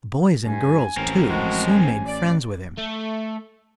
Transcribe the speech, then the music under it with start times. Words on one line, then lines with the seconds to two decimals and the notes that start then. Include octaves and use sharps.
The boys and girls, too, soon made friends with him.
0.46 G2 G#5
0.97 A1 C4 A#4
1.29 F3 G#3 F#4
1.68 G#5
2.06 D5
2.78 A3